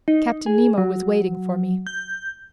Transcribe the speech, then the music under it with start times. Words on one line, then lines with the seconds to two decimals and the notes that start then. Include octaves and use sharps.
Captain Nemo was waiting for me.
0.08 D#4
0.46 G#4
0.78 F#3
1.87 G6